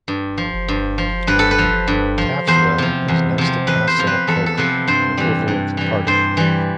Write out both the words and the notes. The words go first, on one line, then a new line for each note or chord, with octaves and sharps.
Taff's Well is next to Castell Coch, which overlooks Cardiff.
G2
F3
G2
F3
G2 B4
A4
B4
F3
G2
F3
E2 C5
C3 F3
E2
C3 F3
E2 B4
C5
C3 F3
B4
E2 A4
A4
C3 F3 B4
G2 C5
E3 G3
G2
E3 G3
G2 C5
E3 G3